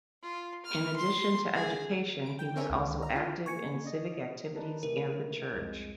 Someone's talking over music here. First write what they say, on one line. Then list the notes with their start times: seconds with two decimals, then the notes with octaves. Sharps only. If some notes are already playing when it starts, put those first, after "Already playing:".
In addition to education, he was also active in civic activities and the church.
0.23 F4
0.66 F6
0.97 C6
1.55 G#4
2.26 D7
2.39 G5
2.56 C4 D4 A#4 C#5 E5 G#5
2.70 C#2 D#3
3.02 A#5
3.14 E4 F4
3.46 A#3 G#5 C#6 G#6 C#7
3.85 D5 D#5
4.56 D4 D#4 B4
4.83 C3 E3 A3 A#4
5.53 C2 F2 G#3